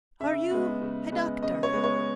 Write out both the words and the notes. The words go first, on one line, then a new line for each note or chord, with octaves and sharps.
"Are you a doctor?"
C#3 E5
G#3 B3
C#3
G#3 B3
C#3 D#5
C#5
G#3 B3
C#5